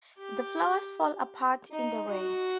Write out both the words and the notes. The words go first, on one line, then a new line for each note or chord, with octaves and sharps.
The flowers fall apart in the rain.
G4
D#4
F#4